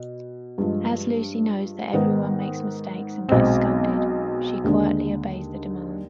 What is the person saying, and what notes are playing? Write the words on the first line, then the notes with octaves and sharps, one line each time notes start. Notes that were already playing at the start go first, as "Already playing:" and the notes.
As Lucy knows that everyone makes mistakes and gets scolded, she quietly obeys the demands.
Already playing: B2
G2 F3 G#3
G#2 D#3 B3 D#4
B1 B2 G#3 C4
D#2 D3 G#3 D4